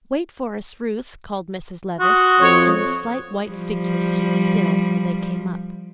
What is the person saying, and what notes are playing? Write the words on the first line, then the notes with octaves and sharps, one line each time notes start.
"Wait for us, Ruth," called Mrs. Levice, and the slight white figure stood still till they came up.
F#4 C6 D#6
F2 C#5
F3 G3